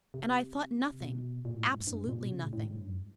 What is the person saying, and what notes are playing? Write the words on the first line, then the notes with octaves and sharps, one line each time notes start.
And I thought nothing; absolutely nothing.
C3
B2
A#2
A2
G#2
G2
G2
G#2
B2
A#2
B2
C#3
A2
A2
G#2
G2
F#2